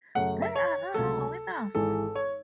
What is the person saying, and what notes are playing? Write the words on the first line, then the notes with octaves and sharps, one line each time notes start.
They are no longer with us.
F#2 C#3 F#3 A3 F#5
E5
C#5
C#2 C3 F#3 A3 A4
G#1 G#2 E3 G#3 A4
C#5